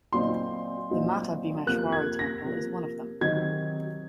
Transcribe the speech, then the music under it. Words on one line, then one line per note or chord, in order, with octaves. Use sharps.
The Mata Bhimeshwari Temple is One of them.
A#2 F#3 C4 D#4 C6
A#2 F#3 C4 D#4
C3 F3 A#3 F#6
G#6
A#6
C3 F3 A#3
C3 D#3 F#3 C4 D#4 G#6